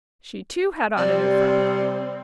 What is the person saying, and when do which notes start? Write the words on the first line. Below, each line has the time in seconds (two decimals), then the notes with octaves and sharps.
She, too, had on a new frock.
0.98 C3 G3 C4 D5